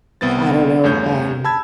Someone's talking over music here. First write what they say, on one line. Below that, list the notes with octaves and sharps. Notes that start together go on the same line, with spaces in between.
I don't know if I'm
C2 B3 C4 A6
E2 G2 A3 C#4 C#5 G6
A5 B5 E6 G#6